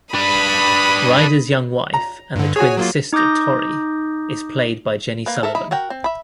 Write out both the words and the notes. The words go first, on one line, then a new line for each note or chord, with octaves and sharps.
Rider's young wife and the twins' sister, Torrie, is played by Jenny Sullivan.
D4 B4 B5 D#6
A#5
G2 D3
F#4 G#4 C#5 G#5
F#3 A#3 F4
D#4 D6 D#6 G6 A#6
A#3 B4
A4 A#4 E5
D#4 E4 B5
F#4 A#4 F#5 G5
C4
E5 B5